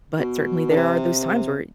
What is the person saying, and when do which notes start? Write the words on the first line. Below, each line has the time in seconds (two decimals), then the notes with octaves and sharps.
but certainly there are those times where
0.19 B2
0.70 D3
0.77 C3